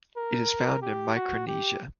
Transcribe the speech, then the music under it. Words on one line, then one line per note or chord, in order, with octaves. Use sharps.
It is found in Micronesia.
A#4
G4
F#4
G4